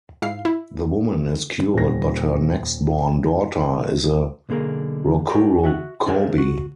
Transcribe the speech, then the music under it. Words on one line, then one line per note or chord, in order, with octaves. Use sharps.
The woman is cured but her next born daughter is a rokurokobi.
G#2 E4 F5 C7
E4
D#1 A#6
B1 D3 A#3 G#4 A#4
F#4 G4 A#4 C#5 D5
F#4 E5 F#5
D4 G#4 A#4 C5 E5
F#4